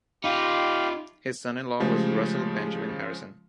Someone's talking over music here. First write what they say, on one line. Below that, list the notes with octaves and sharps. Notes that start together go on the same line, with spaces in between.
His son-in-law was Russell Benjamin Harrison.
D#4 F4 G4 F5 B5
C#3 F3 G#3 A3 G4